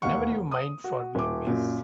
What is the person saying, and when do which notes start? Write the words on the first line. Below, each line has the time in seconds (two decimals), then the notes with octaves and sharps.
Never you mind for me, miss.
0.02 E1 D#2 F5 F#5 C#6
0.51 D#6
0.84 F#4
1.15 D#1 D6
1.47 F#2 A#2